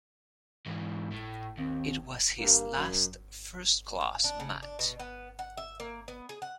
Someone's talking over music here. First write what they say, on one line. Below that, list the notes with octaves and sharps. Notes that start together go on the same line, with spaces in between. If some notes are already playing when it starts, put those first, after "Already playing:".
It was his last first-class match.
G#2 E3
A2
D#2 C4
G2 A#3
F#2
F5
D4
C#3
D4
B2
B3
F#5
E5
A#3
B3
G#4
F#5